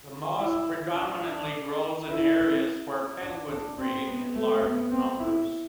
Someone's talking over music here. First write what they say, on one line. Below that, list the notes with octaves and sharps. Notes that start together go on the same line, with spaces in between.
The moss predominantly grows in areas where penguins breed in large numbers.
E4
D4
D4
E4
D4
D4
C4
B3
A3
B3
C4
E4